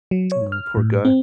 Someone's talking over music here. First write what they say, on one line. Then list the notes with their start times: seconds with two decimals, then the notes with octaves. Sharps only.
No, poor guy.
0.11 F#3
0.32 C#5
0.52 F6
0.77 A2
1.05 C4